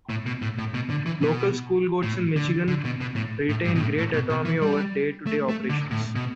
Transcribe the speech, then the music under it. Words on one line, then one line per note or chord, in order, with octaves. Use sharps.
Local school boards in Michigan retain great autonomy over day-to-day operations.
A2
B2
A2
A2
B2
D3
E3
B2
A2
D3
D3
B2
B2
A2
A2
G2
B2
A2
A2
B2
B2
E3
G3
A3
A3
D3
A2
B2